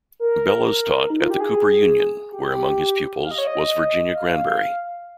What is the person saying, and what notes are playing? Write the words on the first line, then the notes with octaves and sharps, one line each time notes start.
Bellows taught at the Cooper Union, where among his pupils was Virginia Granbery.
A#4
D#4
F4
G4
G#4
G4
F5
D#5
C#5
D#5
F5